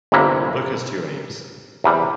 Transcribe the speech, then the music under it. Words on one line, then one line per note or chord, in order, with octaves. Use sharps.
The book has two aims.
G1 F2 C3 A#3 E4 A#5
E2 C3 G3